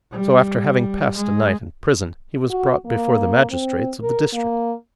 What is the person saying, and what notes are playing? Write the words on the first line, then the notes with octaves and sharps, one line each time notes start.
So, after having passed a night in prison, he was brought before the magistrates of the district.
G3
G#3
F#4
A#3
C4
A#4
A#3